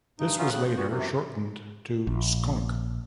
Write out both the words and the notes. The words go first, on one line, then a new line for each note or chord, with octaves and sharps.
This was later shortened to "Skonk".
G2 D#4
E3 F#3 C#4 D#4 F4
A2 C#3 F#6
F3
A#2 B3 F#4
F#2 C3 E3
A#1